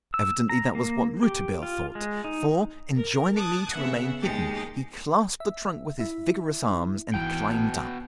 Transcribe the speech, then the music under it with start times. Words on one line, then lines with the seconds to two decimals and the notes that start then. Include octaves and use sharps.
Evidently that was what Rouletabille thought, for, enjoining me to remain hidden, he clasped the trunk with his vigorous arms and climbed up.
0.14 E6
0.49 A#5
0.75 A#3
1.23 G4
1.63 F4
1.95 G#3
2.24 D#4
2.95 A#4
3.36 A5 D6 D#6 F#6 G#6
3.71 C#3 B3 E5 F#5
4.20 D#2 G#3 D#4 G4 A6
5.40 E5
5.99 E4 E5
7.14 G#1 B2 E3 G5